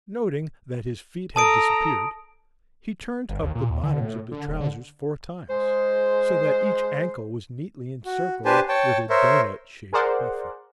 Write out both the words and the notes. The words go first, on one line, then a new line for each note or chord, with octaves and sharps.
Noting that his feet had disappeared, he turned up the bottoms of the trousers four times, so that each ankle was neatly encircled with a doughnut-shaped buffer.
A4 A5 A#5 D#6 D7
G1
D#2
A#2
D#2
D3
A2
D3
D#1
D3
G#3 C5
F#4
D4 G4 B4 C5 G#5 A5
C#5 G5 A5
A#4 C5 C#5 E5
G#4 A#4 C5 D5 F#5